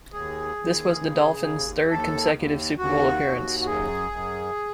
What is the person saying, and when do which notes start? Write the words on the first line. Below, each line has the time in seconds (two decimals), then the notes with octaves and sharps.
This was the Dolphins' third consecutive Super Bowl appearance.
0.13 D#2 G#4
0.57 D#2
1.01 C#3
1.45 D#2
1.89 D#2 A4
2.34 D#2
2.78 D#2 F#4
3.23 D#2
3.60 F#4
3.66 F#2 G#4
4.11 F#2